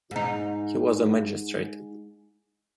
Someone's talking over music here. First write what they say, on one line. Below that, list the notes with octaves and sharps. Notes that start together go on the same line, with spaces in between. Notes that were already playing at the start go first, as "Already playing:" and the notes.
He was a magistrate.
G#2 D#4